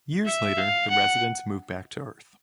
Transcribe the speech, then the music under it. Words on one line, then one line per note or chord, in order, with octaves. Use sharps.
Years later, the residents move back to Earth.
E5
F5
F#5